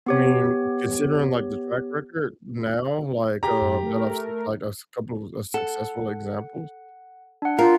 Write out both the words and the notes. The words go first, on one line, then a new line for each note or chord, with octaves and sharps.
I mean, considering, like, the track record now, like, um, that I've seen, like, a couple of successful examples,
B3 G4 C#5
G4 G#4 A#5
F#2
A3 A#4
A4 F#5
D4 F#5
F4 A#4 F5